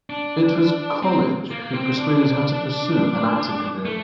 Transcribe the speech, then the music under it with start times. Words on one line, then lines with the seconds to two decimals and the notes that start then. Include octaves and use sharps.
It was Colledge who persuaded her to pursue an acting career.
0.10 D4
1.03 C4
1.51 A#3
1.73 C4
1.97 D4
3.86 A3